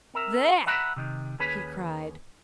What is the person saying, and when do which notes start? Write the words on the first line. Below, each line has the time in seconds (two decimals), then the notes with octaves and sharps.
"There!" he cried.
0.14 C4 A#4 E5
0.66 E5 F#5 A#5 B5
0.96 C3 D#3
1.39 D#2 C#4 G#4 B4 B5